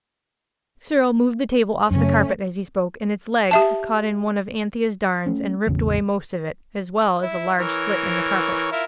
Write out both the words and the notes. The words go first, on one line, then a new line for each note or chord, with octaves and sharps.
Cyril moved the table off the carpet as he spoke, and its leg caught in one of Anthea's darns and ripped away most of it, as well as a large slit in the carpet.
F#2 C#3 A3 C#4
G4 E5 A5
A3 C#4
E1 A1 E2 C#3
E4
E3 A#4 C#5
E4 F4 A#4